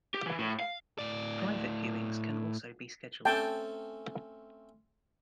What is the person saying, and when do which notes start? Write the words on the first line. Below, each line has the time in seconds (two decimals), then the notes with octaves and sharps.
Private viewings can also be scheduled.
0.15 G4
0.26 E3
0.39 A2
0.60 F5
0.99 A2 D5
3.25 A3 C4 C#4 G5 A5